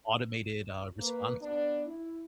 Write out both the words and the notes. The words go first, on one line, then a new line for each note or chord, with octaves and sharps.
automated, uh, responses,"
A#3 A#4 B4
B3 D4
E4